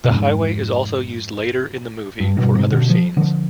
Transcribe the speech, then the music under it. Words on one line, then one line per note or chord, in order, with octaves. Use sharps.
The highway is also used later in the movie for other scenes.
B2
F2 G#2
G2
G2 B2
G#2 C3
B2 D3
F3
D3 F3